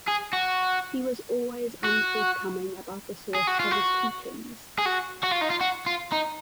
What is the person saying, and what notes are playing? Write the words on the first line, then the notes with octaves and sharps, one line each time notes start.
He was always unforthcoming about the source of his teachings.
G#4
F#4
F#4
G#4
F#4
F4
F#4
G#4
F#4
F#4
F4
D#4
F4
F#4
F4
D#4